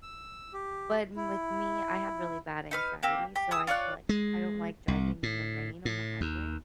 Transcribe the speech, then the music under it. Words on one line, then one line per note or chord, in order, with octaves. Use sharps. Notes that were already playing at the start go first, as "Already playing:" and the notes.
but m with me, I have really bad anxiety, so, I'd like, I don't like driving in the rain on the highway.
E6
G4
E4
D#4 B4 F6
A#3 C4 G4
G4
G#4 D#6 E6
F4 C#5 D5 F#6
G#3
C2
A2
A2
D#2